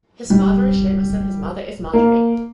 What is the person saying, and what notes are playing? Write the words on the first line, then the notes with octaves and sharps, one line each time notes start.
His father is Seamus and his mother is Marjorie.
G3
A#3